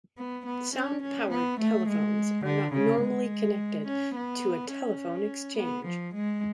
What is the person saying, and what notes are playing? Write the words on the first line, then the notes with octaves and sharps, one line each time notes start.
Sound-powered telephones are not normally connected to a telephone exchange.
B3
B3
C#4
C#4
B3
A3
G#3
D3
C#3
G#3
C#4
B3
C#4
B3
F3
G#3